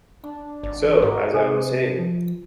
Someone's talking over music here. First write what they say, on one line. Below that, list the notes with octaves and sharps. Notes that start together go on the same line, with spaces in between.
So, as I was saying.
D4
G#1 D5
E3
G#2 F#4 G4 A#4
C3 A4 B4 G#5
F3